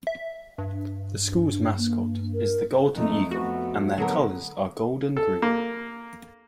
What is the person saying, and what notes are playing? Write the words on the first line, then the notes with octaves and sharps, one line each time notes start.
The school's mascot is the golden eagle and their colors are gold and green.
E5
G2
D4
A#3
A#4
F2 A3 D#4
A3 B3 F#4
D3 F#3 B3 A4 A#4
A4
A#3